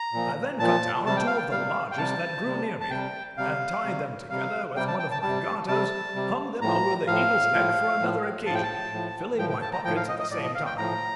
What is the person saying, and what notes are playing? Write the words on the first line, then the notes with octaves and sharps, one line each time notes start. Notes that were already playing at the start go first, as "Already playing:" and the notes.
I then cut down two of the largest that grew near me, and tying them together with one of my garters, hung them over the eagle's neck for another occasion, filling my pockets at the same time.
Already playing: A#5
A#2 F3
A#2 F3 A5
C3 G3 A5
G5
F5
G5
G3 F5
C3
G5
C3 G3 A5
C3 G3
A5
C3 G3 G5
C3 G3 F5
C3 G3
C3 G3 F5
C3 G3 G5
A5
G5
A5
C3 G3 A5
C3 G3 A5
C3 G3
A2 F3 A#5
A2 F3 F5
A2 F3
A2 F3
A2 F3 A5
G5
A5
A2 F3
A2 F3 G5
G5
A5
A#5
A2 F3 G5
F5
D#5
D#5
A2 F3 D5
D#5
F5
G5
A2 F3 A#5